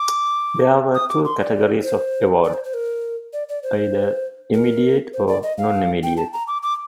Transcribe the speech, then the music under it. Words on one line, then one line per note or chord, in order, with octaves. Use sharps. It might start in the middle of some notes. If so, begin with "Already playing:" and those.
There were two categories of award, either "Immediate" or "Non-Immediate".
Already playing: D6
D#6
D6
C6
D5
C5
D5
C5
C5
A#4
D5
D5
C5
A#4
C5
D5
D#5
F5
G5
A5
A#5
D6
D6